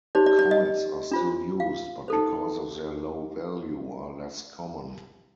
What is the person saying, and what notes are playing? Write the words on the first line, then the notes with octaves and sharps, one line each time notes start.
Coins are still used, but because of their low value are less common.
D#4 G4 C5 D5
D5
D5
D#5
D4 F4 C5
F5
D#4 A4 C5